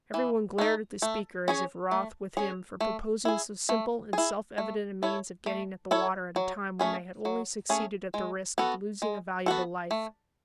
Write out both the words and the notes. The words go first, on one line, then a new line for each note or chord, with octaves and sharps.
Every one glared at the speaker as if wroth with him for proposing so simple and self-evident a means of getting at the water at a time when they had only succeeded at the risk of losing a valuable life.
E3
A3 D#4
A3
C#4 G#4 C#5
A3
C#4 G#4 C#5
A3
E4 G#4
A3
E4 G#4
A3
E4 A4 C#5
A3
E4 A4 C#5
F#3
A3 C#4 G#4
F#3
A3 C#4 G#4
G#3
B3 F#4 A4
G#3
B3 F#4 A4
A3